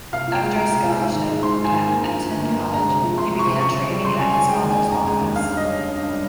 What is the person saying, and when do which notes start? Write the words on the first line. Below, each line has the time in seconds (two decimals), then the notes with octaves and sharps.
After a scholarship at Eton College, he began training at his father's office.
0.13 C2 F5
0.27 A#2
0.34 G5
0.42 G#3
0.56 C2 A#5
0.71 C2
0.85 A#2
1.00 G#2
1.15 D#3
1.29 G#3
1.43 G#2 C6
1.58 G#2
1.65 G#5
1.72 D#3
1.87 A#3 G#5
2.01 G2
2.16 F3
2.31 G1
2.45 A#3
2.60 G2
2.74 G#3 A#5
2.88 C3
3.04 F3
3.17 C2 C6
3.32 G#3
3.39 C#6
3.47 C3
3.61 C#2 C#6
3.76 C#3
3.90 G3
4.04 C#2 C6
4.19 C#2 G#5
4.34 C#3 G#5
4.48 G#3 G5
4.63 D#2
4.70 G#5
4.78 C#3
4.92 F1 A#5
5.06 G#3
5.21 D#2
5.36 G2 F5
5.50 G3
5.57 D#5
5.64 C#4
5.79 G2
5.93 G2
6.08 G3